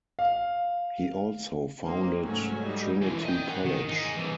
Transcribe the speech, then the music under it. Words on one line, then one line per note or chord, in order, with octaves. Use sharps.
He also founded Trinity College.
F5
A#3 C4 D#4
C2 G#2 F#3 A3 C#4 F#4 G#5
G3 D#4
D3 E3
D#5 G5
C#4 F#5
D#3
D#4 G#4
C2 E3